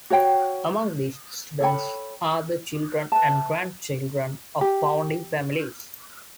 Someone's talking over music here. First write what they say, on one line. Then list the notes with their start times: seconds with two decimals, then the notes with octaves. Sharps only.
Among these students are the children and grandchildren of founding families.
0.10 F#4 C#5 G5
1.60 A4 C#5 G5 B5
3.12 B4 E5 A5
4.61 G4